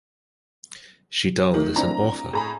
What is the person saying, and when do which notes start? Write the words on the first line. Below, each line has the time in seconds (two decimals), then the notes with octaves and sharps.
Shital is an author.
1.54 D#3 A3 A#4
1.76 C4 D4 E4 A#5
2.33 A2 G#4 A#5 B5